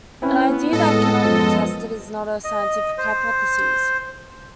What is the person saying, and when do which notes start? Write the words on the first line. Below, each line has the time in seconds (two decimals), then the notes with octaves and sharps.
An idea that cannot be tested is not a scientific hypothesis.
0.22 C4 C#4 E4 B4
0.49 B3
0.73 A2 G#3 A4 D#5
1.23 F#2 F3 A6
2.44 D#5
2.98 C5